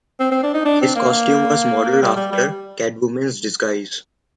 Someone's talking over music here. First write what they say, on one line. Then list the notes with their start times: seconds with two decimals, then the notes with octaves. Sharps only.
His costume was modeled after Catwoman's disguise.
0.20 C4
0.31 C4
0.43 D4
0.54 D#4
0.65 D4
0.81 C4
0.96 A#3
2.02 G3
2.17 G3
2.32 G3